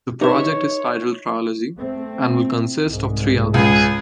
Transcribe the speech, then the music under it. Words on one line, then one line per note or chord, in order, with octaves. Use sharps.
The project is titled "Trilogy" and will consist of three albums.
D#4 G4 B4 C#5 E5
A3 C4
C2 G#2
C#2 G#4